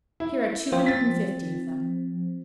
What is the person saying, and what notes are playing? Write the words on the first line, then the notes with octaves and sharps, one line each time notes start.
"Here are two hundred and fifty of them."
E4
F3 C4
A6 B6